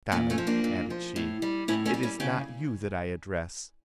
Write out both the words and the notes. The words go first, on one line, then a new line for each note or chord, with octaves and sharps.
Ganem," added she, "it is not you that I address!
A#2 A3 C#4
A3 C#4
F3
A#3 D4
A#2
F3
A2
G3
A2 C#4 E4
A3 C#4
G3
C#4 E4
C#3 G4